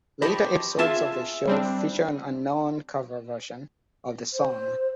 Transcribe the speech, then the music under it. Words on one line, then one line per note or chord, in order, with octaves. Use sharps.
Later episodes of the show feature an unknown cover version of the song.
G4 C5 C#5 D#5 A5 B5
F4 G#4 E5 A5 C6 A6
G3 C4 D4
C5